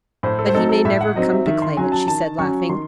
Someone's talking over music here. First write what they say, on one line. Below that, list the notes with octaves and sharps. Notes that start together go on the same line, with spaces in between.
"But he may never come to claim it," she said, laughing.
A2 C5
A4
C5
F#3 C4 D#4 A4
A4
A2 E5
F#5
F#3 C4 D#4 D#5
E5
D#3 E5
C6
F#3 C#4 G#5
A5
D#3 A5
F#3 C#4 C#6
D#3 C6